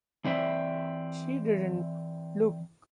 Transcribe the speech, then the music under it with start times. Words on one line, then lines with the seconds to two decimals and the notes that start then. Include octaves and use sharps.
She didn’t look.
0.24 E3 C4 D5 E5